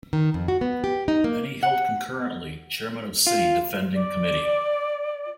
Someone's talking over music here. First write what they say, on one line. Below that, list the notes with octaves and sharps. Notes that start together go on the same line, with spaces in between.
Then he held concurrently Chairman of City defending committee.
D#3
F2
F#4
B3
G4
D#4
A#3
F#5
F4
D5